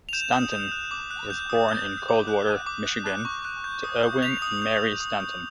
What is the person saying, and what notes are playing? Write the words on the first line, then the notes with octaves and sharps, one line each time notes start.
Stanton was born in Coldwater, Michigan to Erwin and Mary Stanton.
F7
G6 E7
D#6
G6
F#6
D6
F#6
G6
D#6
G6
F#6
D6
F#6
F#6
D6
F#6
F#6
C#6
F#6
G6
D#6
G6
G6 F7
D#6
G6
G6
D#6
G6